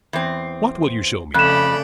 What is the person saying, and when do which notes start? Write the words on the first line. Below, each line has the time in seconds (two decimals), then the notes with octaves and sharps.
What will you show me?'
0.13 E2 C4
1.34 F2 C#3 A3 D5 B5 F#6 E7